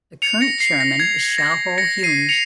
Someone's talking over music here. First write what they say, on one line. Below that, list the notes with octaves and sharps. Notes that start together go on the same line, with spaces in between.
The current Chairman is Shao Hauje.
C#7 F7
A#6 C#7
C7
A#6
G#6
A#6
A#6 C#7
C7 D#7
C#7 F7